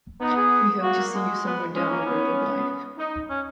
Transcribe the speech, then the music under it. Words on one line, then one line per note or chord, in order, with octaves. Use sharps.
We hope to see you somewhere down the road of life.
B3 D#4
G#4
A#3 F#4
G#3
B3
G#3 C#4
A#3
B3
D#4
C#4